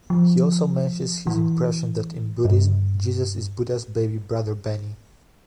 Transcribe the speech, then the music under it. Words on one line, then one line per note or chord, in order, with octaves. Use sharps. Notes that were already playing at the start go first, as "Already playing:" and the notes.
He also mentions his impression that in Buddhism, Jesus is "Buddha's baby brother Benny".
F3
E3
G2